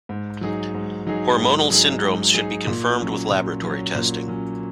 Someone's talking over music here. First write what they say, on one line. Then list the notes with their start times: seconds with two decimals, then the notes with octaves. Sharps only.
Hormonal syndromes should be confirmed with laboratory testing.
0.09 G#2
0.41 F#3 D#4 G#4
0.74 G#2
1.07 F#3 D#4 G#4
1.38 G#2
1.70 F#3 D#4 G#4
2.03 G#2
2.34 F#3 D#4 G#4
2.67 A#2
2.99 F#3 C#4
3.31 A#2
3.63 F#3 C#4
3.95 A#2
4.28 F#3 C#4